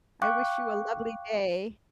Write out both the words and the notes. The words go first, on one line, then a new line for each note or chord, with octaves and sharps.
I wish you a lovely day.
F5 G5 C#6 D6 F#6